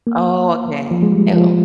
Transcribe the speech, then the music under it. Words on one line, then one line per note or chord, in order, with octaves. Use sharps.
Oh, okay. Ew.
A#3
F3
G#3
G3
F3